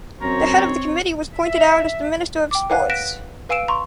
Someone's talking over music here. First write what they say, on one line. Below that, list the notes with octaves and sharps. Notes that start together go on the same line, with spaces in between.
The head of the committee was pointed out as the Minister of Sports.
F#2 C4 C#5 A#5
E5
G5 D6
B4 C#5 F5 F#5 G#5 F#6
F#6 A#6 B6 D7 E7
B4 F5 G#5 E6 D7 E7
A#5 C6 C#6